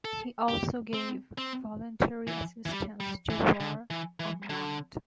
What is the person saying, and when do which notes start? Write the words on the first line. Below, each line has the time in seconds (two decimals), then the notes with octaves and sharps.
He also gave voluntary assistance to War on Want.
0.05 A4
0.48 G4
0.94 C4
1.38 C4
2.27 E3
2.66 E3
2.71 G3
3.00 G3
3.30 E3
3.60 D3
3.91 E3
4.20 E3
4.49 D3